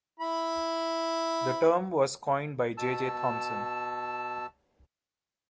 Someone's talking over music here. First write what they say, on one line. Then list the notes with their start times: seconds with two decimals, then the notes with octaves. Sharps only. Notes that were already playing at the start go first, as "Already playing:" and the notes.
The term was coined by J. J. Thomson.
0.20 E4 B5
2.77 B2 A5 E6